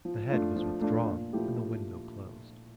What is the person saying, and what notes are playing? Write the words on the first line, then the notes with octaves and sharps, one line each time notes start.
The head was withdrawn and the window closed.
F3
A3 D4 F4
F3
A3 D4 F4
A#2
F3 A3 E4 G4